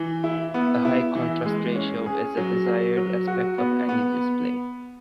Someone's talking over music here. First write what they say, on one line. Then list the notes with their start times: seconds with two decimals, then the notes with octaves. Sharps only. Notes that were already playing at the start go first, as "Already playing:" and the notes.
A high contrast ratio is a desired aspect of any display.
Already playing: E3
0.24 E4
0.54 B3
0.85 E4
1.15 E3
1.46 G#3
1.75 C#4
2.06 G#4
2.37 F#3
2.66 F#3
2.97 F#3
3.27 F#4
3.58 B3
3.89 B3